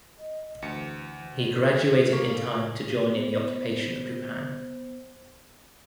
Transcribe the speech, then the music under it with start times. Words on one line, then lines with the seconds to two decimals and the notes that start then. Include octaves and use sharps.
He graduated in time to join in the occupation of Japan.
0.18 D#5
0.62 D2 E3 C#7
1.46 A4
2.12 A#2 C#3 A#3 C#6
3.12 B3 C5